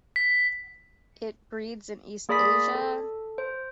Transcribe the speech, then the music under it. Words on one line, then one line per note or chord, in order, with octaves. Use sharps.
It breeds in east Asia.
B6
A#3 G#4 D5 B5 D#6 B6
A4
C5